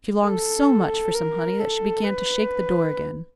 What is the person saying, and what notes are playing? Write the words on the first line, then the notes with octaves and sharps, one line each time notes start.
She longed so much for some honey that she began to shake the door again.
A4
A#4
A4
B4